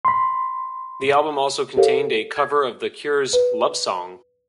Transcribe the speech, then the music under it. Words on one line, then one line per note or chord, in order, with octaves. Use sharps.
The album also contained a cover of The Cure's "Lovesong".
B5 C6
G4 A4 A#4 C#5 F5
G#6
B4